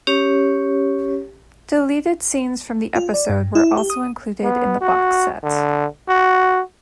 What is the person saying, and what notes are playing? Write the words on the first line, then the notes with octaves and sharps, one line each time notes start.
Deleted scenes from the episode were also included in the box set.
C#4 G4 C#5
F4
D5
G2
E4
G4
D#6
B3
F#4
D3
F#4